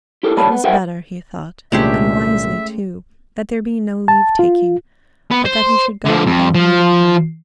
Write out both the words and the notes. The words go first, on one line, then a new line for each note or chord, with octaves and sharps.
It was better, he thought, and wisely too, that there be no leave-taking, but that he should go without meeting her.
E4 G4 A4 A#4
G3 C#5 D5 A5 B5
B3
G#4 A#4 C5 E5 F#5 G5
C2 A#2 D3 G#3 A3 C#4 G4 E5
A5
F4
B3
C5
D3 F3
F2
F3